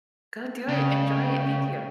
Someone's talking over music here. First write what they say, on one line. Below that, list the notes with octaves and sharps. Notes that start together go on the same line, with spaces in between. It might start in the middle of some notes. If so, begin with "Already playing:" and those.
Go do it, enjoy it, thank you.
C#3 G5